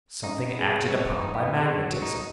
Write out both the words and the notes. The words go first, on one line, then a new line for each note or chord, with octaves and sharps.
Something acted upon by magnetism.
C#4 D#4
B3
G#4
C#3
F#3 B4
B4
D#4
B3
B4
C#3 G#4
F#3
F#4
D#4